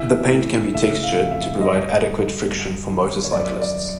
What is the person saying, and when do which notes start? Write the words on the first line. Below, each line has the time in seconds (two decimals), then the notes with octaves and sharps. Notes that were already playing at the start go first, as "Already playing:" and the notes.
The paint can be textured to provide adequate friction for motorcyclists.
Already playing: E3 E5
0.31 A2
0.74 C#3 E5
1.03 F5
1.17 F2
1.31 E5
1.61 G2 D#5
2.04 D3
2.46 G2
2.89 D#3
3.24 C#5
3.32 F#2 D5
3.61 D5